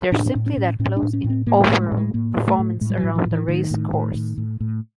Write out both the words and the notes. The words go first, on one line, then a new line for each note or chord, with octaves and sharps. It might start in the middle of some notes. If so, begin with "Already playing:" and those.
They are simply that close in overall performance around the race course.
A2 D4
A2
C#4
A2
A2 C#4
D4
A2
C#4
A2
C4
A2 A#3
A3
A2
G#3
A2
G#3
A2 A#3
A2
A3
A2
A2 G#3
G3
F#3
A2
F3
A2
E3
A2 D#3
A2
A2
A2
A2
A2